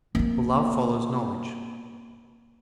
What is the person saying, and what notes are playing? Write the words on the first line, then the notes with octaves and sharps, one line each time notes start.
For love follows knowledge.
A#3 B3